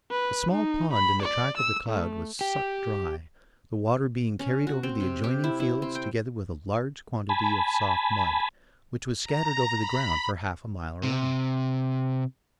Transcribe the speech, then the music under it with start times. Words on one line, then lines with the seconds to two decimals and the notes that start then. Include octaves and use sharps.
"A small pond in the track of the cloud was sucked dry, the water being carried over the adjoining fields together with a large quantity of soft mud, which was scattered over the ground for half a mile around."
0.11 B4
0.52 D#4
0.93 B5
1.22 D5
1.58 E6
1.89 A3
2.41 G4
4.39 C#4
4.67 F#4
4.83 C4
5.00 C3
5.24 G4
5.44 E4
5.60 E4
5.82 C4
5.95 G5
7.29 G#5 A5 B5
9.24 A#5
9.79 B5
11.03 C3